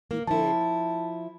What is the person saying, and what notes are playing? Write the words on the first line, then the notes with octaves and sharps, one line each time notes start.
he did
A#3
F3 E4 A5